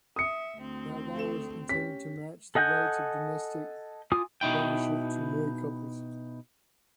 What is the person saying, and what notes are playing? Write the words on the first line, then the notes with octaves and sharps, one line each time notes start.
That law was intended to match the rights of domestic partnerships to married couples.
E5 D#6 C#7
D2 C4
A3 A4 E7
C#4 G4 B6
A4 D#5 F#5 G#5 G6
F4 G#5 D6 D#6
B2 D#4 E4 G5